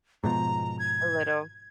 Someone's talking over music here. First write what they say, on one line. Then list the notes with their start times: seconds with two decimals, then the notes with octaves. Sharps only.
a little.
0.24 G#2 B2 F3 A#5
0.79 G#6